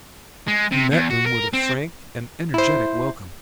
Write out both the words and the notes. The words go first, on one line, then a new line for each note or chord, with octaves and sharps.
He met them with a frank and energetic welcome.
G#3
C3
E2
F#4
A#4
C4
E4 C5